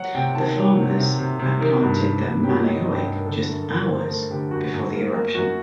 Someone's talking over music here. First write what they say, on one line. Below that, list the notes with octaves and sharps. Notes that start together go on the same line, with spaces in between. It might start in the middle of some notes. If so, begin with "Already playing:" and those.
The farmers had planted the manioc "just hours" before the eruption.
Already playing: F#3 F#5
C3 G5
D#3 A5
F#3
C3
C3
C3
C3
D#3 A#4
G2 A#4
G2
G2
F#3 G4
F#3 D#5
G2 D#5
G5
G2
A#4
D3 A4
F#2
A4
D3 A#4
A#4
A3 C5
A#4
A3 A4
D3 G4
F#2 F#4
F#2
A#3
A#3
F#2 F#4